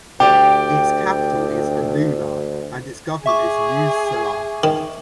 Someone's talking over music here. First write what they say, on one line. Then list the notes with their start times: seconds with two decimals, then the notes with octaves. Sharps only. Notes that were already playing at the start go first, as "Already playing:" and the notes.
Its capital is Alula and its governor is Musse Salah.
0.20 D2 G4 D5 G5
3.26 G#4 E5 C#6 D6
4.64 D#3